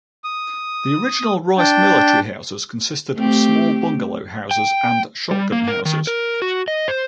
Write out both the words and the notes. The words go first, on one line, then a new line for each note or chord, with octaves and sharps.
The original Rice Military houses consisted of small bungalow houses and shotgun houses.
D#6
D4 G5
A3 C4 G4
G5
G3
A#3
A#4
D#3
A#4
F#4
D#5
C5